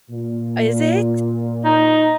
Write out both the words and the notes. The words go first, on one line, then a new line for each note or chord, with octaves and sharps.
Is it?
A#2
D#4